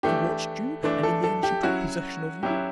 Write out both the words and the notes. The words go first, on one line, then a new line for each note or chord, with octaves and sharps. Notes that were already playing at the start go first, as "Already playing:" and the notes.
She watched you, and in the end she took possession of you?
E3 A3 D4 G4
E3 A3 D4
A4
A4
G4
F#3 C#4 E4 F#4
F#3 C#4 E4 G4